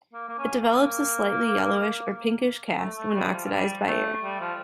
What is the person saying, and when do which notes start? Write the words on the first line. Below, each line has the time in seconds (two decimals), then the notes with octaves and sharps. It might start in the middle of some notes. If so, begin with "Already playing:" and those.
It develops a slightly yellowish or pinkish cast when oxidized by air.
0.13 A#3
0.29 A#3
0.38 C#4
0.61 A#3
2.78 A3
2.96 A3
3.15 G3
3.32 F3
3.46 F3
3.51 G3
3.87 A3
4.23 G3
4.40 F3